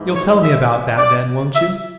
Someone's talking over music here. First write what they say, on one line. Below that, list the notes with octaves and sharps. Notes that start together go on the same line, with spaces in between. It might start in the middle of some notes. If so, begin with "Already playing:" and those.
"You'll tell me about that, then--won't you?"
Already playing: G#2 E3
C#5
E5
D5
E5